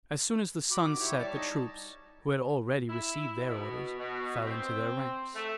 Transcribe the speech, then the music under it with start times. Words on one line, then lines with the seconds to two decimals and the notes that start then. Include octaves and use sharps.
As soon as the sun set the troops, who had already received their orders, fell into their ranks.
0.71 F#4 B5 D6
0.86 D#3 F#4
0.99 E4 G4 C#5
1.18 G3 C#5 D5 A5
1.35 D#4
2.89 E4
3.48 B2
3.98 B2
4.46 C4
5.35 A3